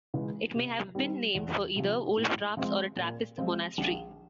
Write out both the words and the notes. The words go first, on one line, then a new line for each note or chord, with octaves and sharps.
It may have been named for either wolf traps or a Trappist monastery.
C#3 E3 G#3
C3
D#3 G3 C4
E2
C3 F3
A2
F3 G#3 C4 F4
A#2
F3 G#3 C4 F4
A#1